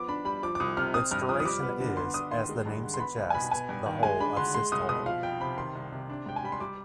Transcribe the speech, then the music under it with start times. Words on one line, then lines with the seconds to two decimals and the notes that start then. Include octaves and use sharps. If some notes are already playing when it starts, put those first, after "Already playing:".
Its duration is, as the name suggests, the whole of systole.
Already playing: F3 B3 D6
0.08 D4 B5
0.25 G3 B5
0.43 F3 D6
0.55 D6
0.60 C2 D#6
0.77 C3 F6
0.94 C4 D#6
1.11 G2 F6
1.29 F3 D#6
1.40 D#6
1.45 G3 D6
1.63 B3
1.80 D3
1.97 B3 C6
2.14 D4 D#6
2.31 D#3 C6
2.49 G#3
2.66 G2
2.83 D3
2.94 C6
3.00 B3 B5
3.17 C2
3.30 G#5
3.34 B2 B5
3.51 B3 G#5
3.69 G2
3.86 D#3
4.03 G#3 G#5
4.20 D4 B5
4.37 D3 C6
4.54 G#3 C6
4.72 C2 D#6
4.89 B2 D#6
5.06 F3 F5
5.23 F2 G5
5.41 C3 B5
5.58 D#3 C6
5.75 C2
5.92 C3
6.10 D4
6.26 G#2 G5
6.36 G#5
6.44 G3 B5
6.52 C6
6.60 G3 D6